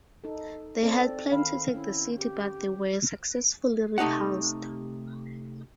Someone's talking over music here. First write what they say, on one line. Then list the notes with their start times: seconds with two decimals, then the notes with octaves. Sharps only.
They had planned to take the city but they were successfully repulsed.
0.24 D#4 A4
0.83 C4 A4 D5
1.31 D#3 F5 B5
1.74 C#4 E4
2.17 G4
3.98 C3 A3 D#4 G4 F#5